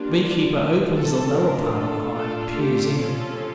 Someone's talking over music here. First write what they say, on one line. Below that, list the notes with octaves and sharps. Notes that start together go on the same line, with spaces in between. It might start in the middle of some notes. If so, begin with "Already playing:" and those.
The beekeeper opens the lower part of the hive and peers in.
Already playing: G3 A#3 D4 F4
D3 F3 A3
A4
A3 D4 F4 A#4
A4
A3 D4 F4 A4
G4
F3 C#4 F4 A4